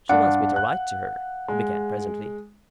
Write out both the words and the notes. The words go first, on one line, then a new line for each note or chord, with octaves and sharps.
"She wants me to write to her," he began, presently.
G2 D4 F5 F#5
F#6
G#3